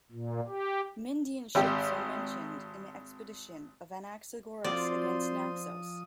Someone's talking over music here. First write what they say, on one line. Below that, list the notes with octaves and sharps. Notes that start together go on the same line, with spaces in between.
Myndian ships are mentioned in the expedition of Anaxagoras against Naxos.
A#2
G4
G#1 G4
F3 C4 F4 F#4 C5 D5 C6 D#6